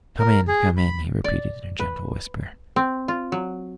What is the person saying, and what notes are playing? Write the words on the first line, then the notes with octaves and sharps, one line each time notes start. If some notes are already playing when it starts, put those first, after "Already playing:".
"Come in, come in!" he repeated in a gentle whisper.
A#4
G#4
B5
D5
B4
C4
F4
F#3